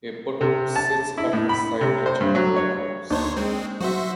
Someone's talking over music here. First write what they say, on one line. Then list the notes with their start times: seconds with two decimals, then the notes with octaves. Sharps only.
A putto sits at her side clutching more arrows.
0.41 C3
0.76 A5
1.18 E4
1.33 A2
1.49 B5
1.81 C3
2.06 C5
2.21 G2
2.35 F#3
2.56 C#5
3.10 D2 A#3 D4 D#4 C5 C#5
3.36 G#3 C4
3.80 F#3 F#4 C5 E5